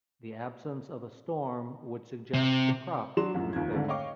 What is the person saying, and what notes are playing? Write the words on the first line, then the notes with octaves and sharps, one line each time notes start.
The absence of a storm would suggest the crops would fail.
C3
F#3 D4 C6 E7
C2 F#2 F3
F1 D#2 F3 G#6
G#2 D3 A3
C#5 D#5 F5 G5 C#6 D6